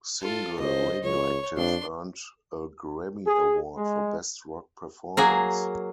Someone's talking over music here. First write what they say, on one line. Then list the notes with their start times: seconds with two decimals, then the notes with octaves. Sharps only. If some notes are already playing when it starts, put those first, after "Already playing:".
Single "Radioactive" earned a Grammy Award for Best Rock Performance.
0.21 F4 A4
0.60 C#2 C5 D#5
1.03 C#2 C#5
1.57 F2 D4 C6
3.25 G#4
3.75 G#3
5.17 F#3 A#3 G#4 A#4